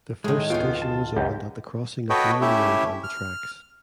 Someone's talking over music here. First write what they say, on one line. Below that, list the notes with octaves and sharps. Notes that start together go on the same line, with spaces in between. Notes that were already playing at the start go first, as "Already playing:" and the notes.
The first station was opened at the crossing of Union Road and the tracks.
A2 D#3 G#3
D1 B3 F4 G#4 C#5 G5
A5
C#2 F#2 G4
F#4 A4 B4 C#5 D#5 G5
A3 C#4 E4 G4 E5
F6